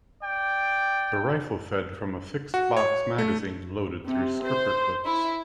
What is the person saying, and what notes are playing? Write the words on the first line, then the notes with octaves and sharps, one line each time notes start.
The rifle fed from a fixed box magazine, loaded through stripper clips.
D5 G5
F#4
C#5
A3
C3
C5
E4